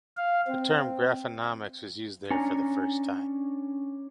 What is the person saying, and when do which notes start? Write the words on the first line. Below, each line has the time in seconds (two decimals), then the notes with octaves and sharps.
The term 'graphonomics' was used there for the first time.
0.17 F5
0.47 C4
2.30 C#4 D4 G#5 A#5